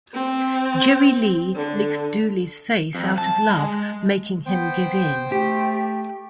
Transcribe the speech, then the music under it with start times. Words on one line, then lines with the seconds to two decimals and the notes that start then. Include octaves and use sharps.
Jerry Lee licks Dooley's face out of love, making him give in.
0.14 C4
1.55 D3
2.95 F2
3.18 A5
3.50 G#3
4.46 B3 C5 G5
5.32 A3 G4